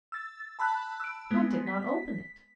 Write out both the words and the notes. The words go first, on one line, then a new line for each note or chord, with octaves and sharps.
I did not open it.
E6 A6
A5 B5 E6 F#6
E6 D7
G#3 B3
B6